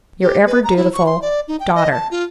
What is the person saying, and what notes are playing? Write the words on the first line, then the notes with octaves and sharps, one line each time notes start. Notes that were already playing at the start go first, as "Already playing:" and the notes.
Your ever dutiful DAUGHTER.
G4
B4
A#5
E4
C#6
C6
D5
D#4
G5
D#5
A5
F4